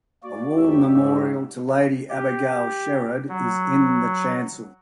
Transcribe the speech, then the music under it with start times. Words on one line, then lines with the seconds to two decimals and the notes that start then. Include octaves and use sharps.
A wall memorial to Lady Abigail Sherard is in the chancel.
0.23 A#3 F#4 D5
0.57 F1 G4 C#5 D5 E5
0.91 G#2
2.10 G4
3.29 F#3